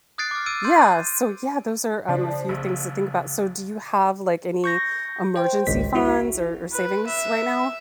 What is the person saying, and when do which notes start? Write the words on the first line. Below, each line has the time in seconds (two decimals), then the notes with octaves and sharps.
Yeah, so yeah, those are, um, a few things to think about. So do you have like any emergency funds or or savings right now?
0.18 D#6 F#6 G#6 A6 C7 D7
0.31 D6 F6
0.46 E6 G#6 D7 D#7
0.64 C6 G6 A6 D#7
2.09 C#3 F3 D4
2.49 A#1
4.64 C#6 G6 A#6
5.36 C5 G5
5.67 G#1 C#2 B6
5.95 E4 F#4 E5
6.73 B4
7.07 E5